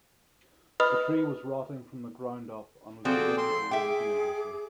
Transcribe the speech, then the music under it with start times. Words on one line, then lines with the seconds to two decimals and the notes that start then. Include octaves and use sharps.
The tree was rotting from the ground up and was beginning to lean dangerously.
0.80 B4 D#5 B5 D#6 F6
3.05 F3 C4 F#4 G#4 A4 D5 G5
3.38 C6
3.71 G#4 E5 G5 D6